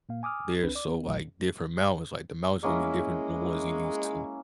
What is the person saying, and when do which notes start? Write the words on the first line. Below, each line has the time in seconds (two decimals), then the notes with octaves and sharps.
they're so, like, different mountains. Like, the mountains gonna be different than the ones you used to.
0.09 A#2 A#3 F5
0.23 G#5 D6 D#6 F6
0.63 C2 C4 D4 B4
0.75 D5 D6
0.88 B3
1.07 A1 A#2 D3 F#3 A3
2.63 G#3 A#3 C#4 E4